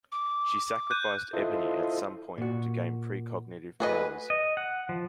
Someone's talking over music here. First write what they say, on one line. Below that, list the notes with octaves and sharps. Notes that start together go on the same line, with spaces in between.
She sacrificed Ebony at some point to gain precognitive powers.
D6
F#6 G6 D#7
E4 F4 A4 C5 D#5
A#2 F#4
A3 F#4 G#4 B4 D#5
D#5
F#5
F3